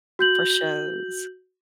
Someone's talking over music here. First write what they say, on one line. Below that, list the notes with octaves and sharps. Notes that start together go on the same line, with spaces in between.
for shows.
F#4 G6 F#7